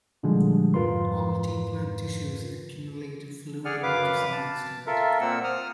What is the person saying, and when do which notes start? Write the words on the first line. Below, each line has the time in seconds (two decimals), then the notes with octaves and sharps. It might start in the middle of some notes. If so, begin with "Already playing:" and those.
All tea plant tissues accumulate fluorine to some extent.
0.23 A#2 D3 F3 G3 G#3
0.74 F2 G#2 F4 A#4 B4 C6
3.65 G#4 D5 F#5 G#5 F6
3.83 F#2 B4 F5 D6
4.32 A5
4.87 F4 A4 A#4 E5
5.21 A#2 A#3 C4 F#5 E6
5.44 D#6 F6